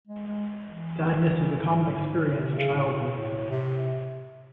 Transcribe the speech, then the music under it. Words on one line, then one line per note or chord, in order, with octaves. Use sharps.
Sadness is a common experience in childhood.
G#3
G#3
E3
G#2
A2
G#2
A2
C3
C#3
A2
A2
C3